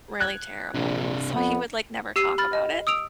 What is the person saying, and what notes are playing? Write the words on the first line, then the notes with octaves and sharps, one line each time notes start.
really terrible. So he would, like never talk about it,
F#6 G#6
A#1 C3 D4
F2 B3
G4 E6 C7 D#7
B5 F6 A6
D#5
D#6 E6 D7 F7